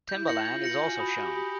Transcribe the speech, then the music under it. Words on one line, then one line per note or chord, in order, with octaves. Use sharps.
Timbaland is also shown.
E4 G6
A#6 C#7 F#7
F4 G6
A#6 C#7 F#7
F#4 G#5
B5 D#6
G4 G#5
B5 D#6